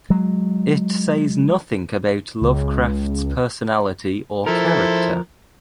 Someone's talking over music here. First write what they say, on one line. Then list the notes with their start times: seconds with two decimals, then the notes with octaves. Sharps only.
It says nothing about Lovecraft's personality or character.
0.10 F#3 G#3
2.41 C#2
4.46 F3 E4 A4 A#4 C5